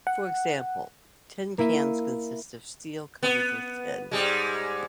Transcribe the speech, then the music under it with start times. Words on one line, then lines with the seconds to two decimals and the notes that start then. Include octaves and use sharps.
For example, tin cans consist of steel covered with tin.
0.07 F#5
1.58 A#3 E4 E5 D#7
3.23 B3
4.11 G#2 G3 G#3